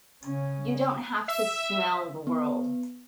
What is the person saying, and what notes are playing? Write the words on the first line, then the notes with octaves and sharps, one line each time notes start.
You don't have to smell the world!
C#3 C#4
E5
B3